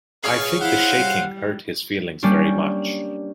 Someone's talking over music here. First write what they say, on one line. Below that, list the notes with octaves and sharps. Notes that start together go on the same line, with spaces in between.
I think the shaking hurt his feelings very much.
G#4 B4 C#5 F5 C#6 F6
E4 C5 F5 F#5
G3
G3 A#3 C#4 D4 G4